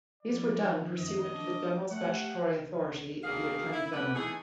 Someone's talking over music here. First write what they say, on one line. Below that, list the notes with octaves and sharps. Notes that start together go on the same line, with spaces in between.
These were done pursuant to the general statutory authority of the Attorney General.
D#3 F3 D5
F#2 D#5
D4 A#4 D6
A3 G4 F5 F#5
D2 B2 D#3 A#3 G#4 F5
E4
A3 B3 G4 B4
E3 A3 D#4 G#4